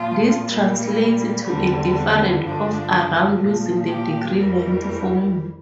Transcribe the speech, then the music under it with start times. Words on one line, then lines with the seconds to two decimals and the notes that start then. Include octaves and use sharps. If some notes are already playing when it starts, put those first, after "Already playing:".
This translates to a difference of around using the degree length formula.
Already playing: A#2 F3 F4
0.47 A#2 G3 A#3
1.44 E2 D3 G3 C4
2.43 G2 D3 F3 D4
3.40 A#2 F3
3.89 G4
4.37 F2 E3 G3 A#4